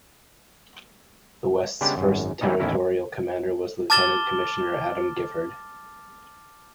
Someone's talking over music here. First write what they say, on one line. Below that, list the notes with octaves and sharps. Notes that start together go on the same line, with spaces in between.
The West's first territorial commander was Lieutenant Commissioner Adam Gifford.
C#3 G3 G#3 B3 D4 G4
G#1 F#2
E3 F#3 G3 B3 C#4 D#4
A1 D#2 B3 C#4 E4 A#4
A5 D6 F6 A6 E7 G7